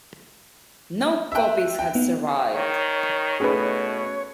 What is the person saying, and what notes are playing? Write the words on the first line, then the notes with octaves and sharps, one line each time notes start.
No copies have survived.
E5 G5 E6 F#6
G5
B3 D#4
D#3 C#5
B2 A3 C#4 D#4 G#4 B4